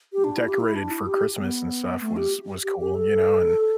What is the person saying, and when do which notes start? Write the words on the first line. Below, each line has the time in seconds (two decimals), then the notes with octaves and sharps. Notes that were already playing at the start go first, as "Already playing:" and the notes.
decorated for Christmas and stuff was was cool, you know and,
0.13 G4
0.24 D4
0.37 E4
0.48 G4
0.60 E4
0.76 D4
0.91 E4
1.06 G4
1.38 B3
2.01 A3
2.16 G4
2.63 G4
2.79 G4
2.94 A4